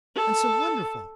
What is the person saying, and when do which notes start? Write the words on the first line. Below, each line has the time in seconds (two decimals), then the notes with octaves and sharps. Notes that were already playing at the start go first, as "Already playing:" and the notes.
And so wonderful!
0.16 A4